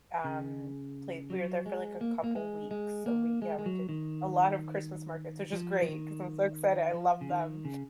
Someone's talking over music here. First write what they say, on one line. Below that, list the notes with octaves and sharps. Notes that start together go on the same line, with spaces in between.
um, pla we were there for, like, a couple weeks, so we yeah, we did a lot of Christmas markets, which is great, 'cause I'm so excited, I love them,
C#3
F#3
G#3
A#3
A#3
G#3
G#3
A#3
G#3
G#3
F#3
D#3
F3
F3
D#3
F3
C#3
D#3
C#3